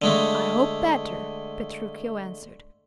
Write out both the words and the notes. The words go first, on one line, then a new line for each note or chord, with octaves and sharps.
"I hope, better," Petruchio answered.
D3 G#3 A3